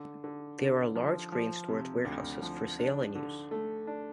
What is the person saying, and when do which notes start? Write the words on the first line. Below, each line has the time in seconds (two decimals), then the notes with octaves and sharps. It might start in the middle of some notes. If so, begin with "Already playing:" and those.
There are large grain storage warehouses for sale and use.
Already playing: D3
0.24 D3
0.59 D3
0.95 F3
1.32 F3
1.68 C3
2.05 D2
2.42 F3
2.79 D4
3.15 D3
3.51 A3
3.87 D4